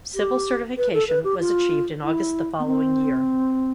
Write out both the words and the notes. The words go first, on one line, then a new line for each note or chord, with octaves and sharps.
Civil certification was achieved in August the following year.
G4
B4
A4
B4
G4
F4
E4
B3
C4